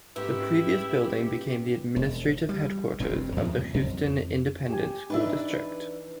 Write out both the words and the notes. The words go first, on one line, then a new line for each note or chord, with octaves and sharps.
The previous building became the administrative headquarters of the Houston Independent School District.
G#2 E3 A3 C#4 E4 G4 B4
E1
G3
F1 G2 C#3 C4
E2 A2 C#3 F3
F2
G4 G#5
E3 D4 D#4 B4 E5